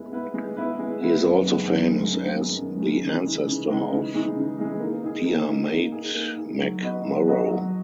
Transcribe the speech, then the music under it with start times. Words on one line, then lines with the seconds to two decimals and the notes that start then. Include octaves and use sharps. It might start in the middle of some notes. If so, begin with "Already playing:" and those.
He is also famous as the ancestor of Diarmait MacMurrough.
Already playing: G#3 B3 E4 B4
0.12 B3 E4 B4
0.34 G#3
0.57 B3 E4 B4
0.79 G#3
1.01 B3 E4 B4
1.24 F#2
1.46 D#3 G#3 B3
1.68 F#2
1.90 D#3 G#3 B3
2.12 F#2
2.35 D#3 G#3 B3
2.57 F#2
2.80 D#3 G#3 B3
3.02 C#3
3.24 E3 G#3 D#4
3.47 C#3
3.69 E3 G#3 D#4
3.91 C#3
4.14 E3 G#3 D#4
4.35 C#3
4.58 E3 G#3 D#4
4.80 A#3
5.03 D#4 G#4
5.25 A#3
5.48 D#4 G#4
5.70 A#3
5.92 D#4 G#4
6.15 A#3
6.37 D#4 G#4
6.59 F#3
6.82 B3 F#4 B4 D#5
7.04 F#3
7.26 B3 F#4 B4 D#5
7.48 F#3